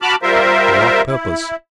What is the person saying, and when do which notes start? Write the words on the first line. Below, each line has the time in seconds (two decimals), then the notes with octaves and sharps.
"For what purpose?"
0.02 F#4 A5 B5 D6 F6
0.23 G3 F4 A#4 C5 E5
1.07 E4